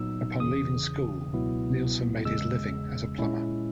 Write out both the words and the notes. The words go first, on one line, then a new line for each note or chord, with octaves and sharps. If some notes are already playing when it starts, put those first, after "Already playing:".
Upon leaving school, Nilsen made his living as a plumber.
Already playing: A#2 F#3 B3 D#4 E6
E2 C#3 E3 D#6
C#2 B2 F#3 B3 E4
E2 C#3 G#3 C#4 E6
A#2 G#3 C#4 E4